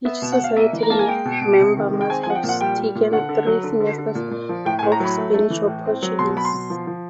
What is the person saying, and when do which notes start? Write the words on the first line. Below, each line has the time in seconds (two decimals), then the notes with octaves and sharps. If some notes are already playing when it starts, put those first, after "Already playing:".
Each society member must have taken three semesters of Spanish or Portuguese.
0.05 B3 E5
0.22 B2
0.32 F#5
0.40 B2 F5
0.57 A#3 E5
0.73 E3
0.83 A#5
0.90 A#3 A5
0.99 G#5
1.08 G#3 G5
1.25 B2
1.41 B2
1.59 C3
1.77 D#3
1.93 G#3
2.01 G5
2.10 C4 G#5
2.23 G#5
2.27 F3 F#5
2.35 G5
2.43 A#2
2.49 F#5
2.61 G3 G5
2.78 G3
2.95 A#2
3.12 D3 F#5
3.29 D3
3.47 F#3
3.63 D3
3.80 D3
3.98 D3
4.15 A#2
4.31 A#2
4.49 F3
4.65 A2 G5
4.79 G#5
4.83 A2
4.92 A#5
5.00 F#3 B5
5.17 A3
5.33 A3
5.50 E3
5.67 A2
5.86 C4
6.02 F#3
6.19 B2 C6
6.35 F#3 B5
6.45 C6
6.53 B2
6.70 F3
6.87 F3